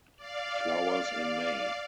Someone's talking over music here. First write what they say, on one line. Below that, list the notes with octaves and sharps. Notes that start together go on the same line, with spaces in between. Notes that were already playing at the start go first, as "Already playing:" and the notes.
Flowers in May.
D5 F5